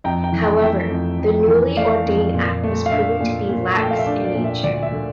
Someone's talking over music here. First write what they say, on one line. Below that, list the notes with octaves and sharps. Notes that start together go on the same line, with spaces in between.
However, the newly-ordained act was proven to be lax in nature.
F2 G5 A#5
G5 A#5
E3
G5 A#5
A3 E5 G5
F2
F2
E3
A3 D5 F5
F2
A#2
A3
F5
D4 E5
A#2
A#2
A3 A5
G5
F5
E5
D4 D5
D5
A#2
E5
D2 D5
E5
D3